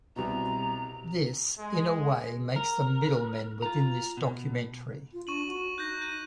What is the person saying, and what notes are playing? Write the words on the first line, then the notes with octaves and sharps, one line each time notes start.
This in a way makes them middlemen within this documentary.
C2 B2 A#5
G#3
A#4
F4 A#5
B2
F4
D4 C#6 D#7 F#7
F#4
D#4 F#6 G6 A#6
F#6 D#7